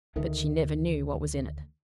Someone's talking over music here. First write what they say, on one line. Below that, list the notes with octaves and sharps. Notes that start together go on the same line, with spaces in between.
But she never knew what was in it.
D2 D#3 A3